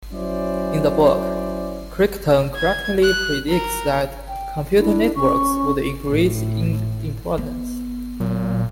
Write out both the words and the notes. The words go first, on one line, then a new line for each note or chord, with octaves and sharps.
In the book, Crichton correctly predicts that computer networks would increase in importance.
F#3 C#4 E4 C5 D5
G#6
F#6
A#4
G5
D4 E4
C#4 C#6
A2
B3
A#2 F#3